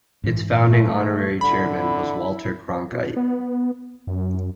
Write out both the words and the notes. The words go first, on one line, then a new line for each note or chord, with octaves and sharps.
Its founding honorary chairman was Walter Cronkite.
G#2 E3
A3
D3 E4 B5
B2
B3
F#2